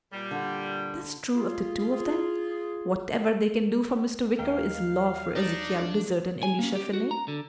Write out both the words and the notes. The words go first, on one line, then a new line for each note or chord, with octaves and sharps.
That's true of the two of them--whatever they can do for Mr. Wicker is law for Ezekial Blizzard and Elisha Finney.
A#2 G3
D3
F4 G#4
D#2 A#4 F5 G5
D4 D#4
G#5
A#3 C#4
G4
F#4
A#5
D3